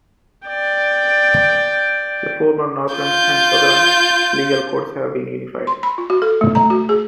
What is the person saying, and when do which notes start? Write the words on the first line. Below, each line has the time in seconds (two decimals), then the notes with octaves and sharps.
The former northern and southern legal codes have been unified.
0.47 D5 G5
2.94 F4 G6
5.67 C6
5.83 B5
5.98 F4
6.10 F#4
6.22 A4
6.41 A3
6.55 A#5
6.70 F#4
6.89 G#4